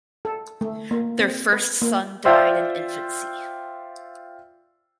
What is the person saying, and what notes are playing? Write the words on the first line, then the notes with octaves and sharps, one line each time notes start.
Their first son died in infancy.
A4
A3
A#3
C4
B4
A#3
F4 C5 D5 E5 G5 E6